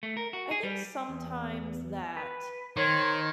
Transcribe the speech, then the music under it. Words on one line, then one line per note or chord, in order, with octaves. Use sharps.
I think sometimes that,
A3
A#4
F#4
G#4
G3
E2
B4
D#3 C5 C#5